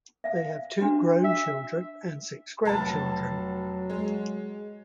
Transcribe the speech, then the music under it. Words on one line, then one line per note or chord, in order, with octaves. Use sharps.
They have two grown children and six grandchildren.
E5 F5
D4 F#4
E5
F1 F#3 A5 A6
G#3